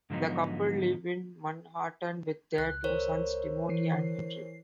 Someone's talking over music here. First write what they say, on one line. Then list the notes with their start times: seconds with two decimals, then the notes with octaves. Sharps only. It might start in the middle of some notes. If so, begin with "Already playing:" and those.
The couple live in Manhattan with their two sons, Timothy and Henry.
0.10 G#2 D3 F3 F#3 B3 D#4
2.58 C#2 F#6
2.84 A#4 C5 C#5
3.69 E3 C7